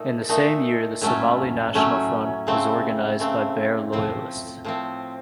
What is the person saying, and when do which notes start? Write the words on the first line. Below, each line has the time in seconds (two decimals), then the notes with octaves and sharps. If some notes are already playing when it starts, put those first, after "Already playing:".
In the same year the Somali National Front was organized by Barre loyalists.
Already playing: A#2 A3 D#4 A4
0.29 A#2 A3 D#4 A4
1.01 A2 F#3 A3 C#4
1.74 A2 F#3 A3 C#4
2.47 C#3 A3 C4
3.20 C#3 A3 C4
3.92 A2 F3 C4
4.65 A2 F3 C4